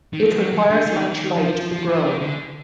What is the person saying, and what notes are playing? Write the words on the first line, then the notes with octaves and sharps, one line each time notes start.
It requires much light to grow.
D#3
F3
F#3
D#3
D3
D#3
D#3
F3
F3
F3
F3
D#3
D3